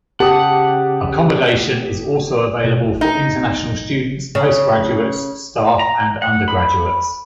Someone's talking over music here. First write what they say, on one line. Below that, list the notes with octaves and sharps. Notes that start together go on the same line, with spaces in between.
Accommodation is also available for international students, postgraduates, staff and undergraduates.
C#3 G4 F#5 A5 D#6
B2
D#4
C#3
A#5
F#5
B5